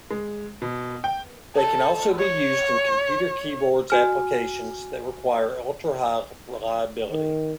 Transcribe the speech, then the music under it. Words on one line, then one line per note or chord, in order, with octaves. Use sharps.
They can also be used in computer keyboards applications that require ultra-high reliability.
G#3
B2
G5
A4
C#5
F#4 G#5 F6
D#3